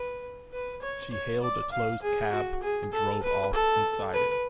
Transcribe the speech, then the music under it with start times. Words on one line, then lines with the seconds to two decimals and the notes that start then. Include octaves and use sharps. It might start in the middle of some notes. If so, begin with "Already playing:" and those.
She hailed a closed cab and drove off inside it.
Already playing: B4
0.53 B4
0.82 C#5
1.12 C#5
1.42 D5
1.72 F5
2.02 G#4
2.32 F#4
2.62 G#4
2.92 A4
3.23 B4
3.53 A4
4.14 B4